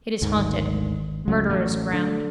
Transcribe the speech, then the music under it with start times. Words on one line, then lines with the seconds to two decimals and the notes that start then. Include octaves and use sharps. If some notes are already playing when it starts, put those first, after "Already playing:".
It is haunted. Murderer's ground.
0.22 D2 G#2
0.37 G#1
1.28 C#2 F#3
1.49 A1 F#3 A3
1.93 D3